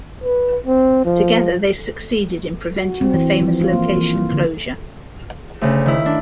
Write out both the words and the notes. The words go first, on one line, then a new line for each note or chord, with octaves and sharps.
Together they succeeded in preventing the famous location closure.
B4
C4
F3
F#4
C4
E3
F3
F4
A#3
E3
A#3
D3
D2 C#3
D#3 E4
D4